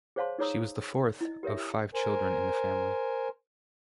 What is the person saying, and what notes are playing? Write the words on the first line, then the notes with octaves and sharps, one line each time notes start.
She was the fourth of five children in the family.
G#4 C5 C#5 F5 A5 C6
D#4 G#4 C#5 A#5 D#6 E6
E4 D#5
G4 A#4 C#5 E5
A#4 C5 G#5